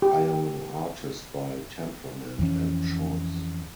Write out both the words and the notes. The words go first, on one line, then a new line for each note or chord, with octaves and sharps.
I am an artist by temperament and choice.
G4
F2 E3 C#4